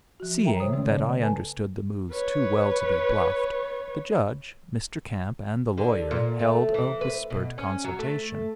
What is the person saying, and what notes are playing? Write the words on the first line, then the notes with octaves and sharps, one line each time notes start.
Seeing that I understood the moves too well to be bluffed, the judge, Mr. Camp, and the lawyer held a whispered consultation.
F3 F#4
A4 A#4 E5 G5 A#5
C#3 C5 C#5 D#6
D#3 G#3 A3 C#4
C#3 A#3 C#5 D5
A4 B4 G#5 A5
B4 C#5
D3
A#2
A3
E3
B4
B2
C#4
F#3
A3